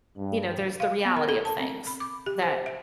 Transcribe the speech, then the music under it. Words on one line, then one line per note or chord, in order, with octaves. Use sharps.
you know, there's the reality of things that,
G2
F5
B3
A#4
A4
A5
C4
B5
D6
G4
C5
E5